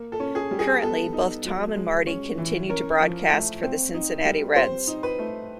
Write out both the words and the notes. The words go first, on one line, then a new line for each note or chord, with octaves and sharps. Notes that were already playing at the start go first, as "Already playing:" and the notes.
Currently, both Thom and Marty continue to broadcast for the Cincinnati Reds.
Already playing: A#3
A4
C#4
G#4
G3
G#4
B3 A4
D#4
F#3
G#3
C#4
E3
C#4 A#4
F3
A3
C4
D#4
G3
C4 C5
D#4
B4
A3